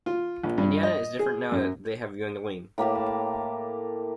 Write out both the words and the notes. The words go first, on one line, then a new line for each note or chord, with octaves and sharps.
Indiana is different now that they have Yuengling.
F4
A#1
G2
D#5
G#4
F#2
A2 A#3 G4 A5